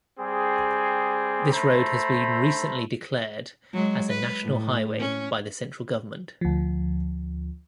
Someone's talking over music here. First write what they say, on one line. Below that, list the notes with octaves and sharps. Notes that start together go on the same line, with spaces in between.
This road has been recently declared as a National Highway by the central government.
G3 C4 G#4
A3 C5 E5 A#5 B5
F#3 G#3
B4
A2
C#4
D2 F3